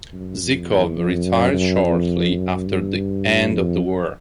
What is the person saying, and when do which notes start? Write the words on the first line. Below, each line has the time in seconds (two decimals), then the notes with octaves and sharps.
Zykov retired shortly after the end of the war.
0.12 F#2
0.41 F2
0.69 E2
0.97 F2
1.25 F#2
1.53 F#2
1.82 F2
2.38 F#2
2.67 G2
3.52 F2